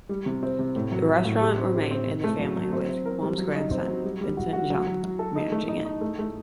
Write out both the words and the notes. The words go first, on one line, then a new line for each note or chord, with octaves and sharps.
The restaurant remained in the family with Quom's grandson, Vince Jung, managing it.
G3
C3
C4
C3
A2
F#3
F#3
A2
G4
C4
G4
C4
C3
A3
F#3
F#3
C4
C4
A#4
G3
F#3
D#4
C4
F#3
G3
G3
F#4
F#4
F#3
F#3
F#3
A4
D#4
A3
D#4
D#4
A3
A3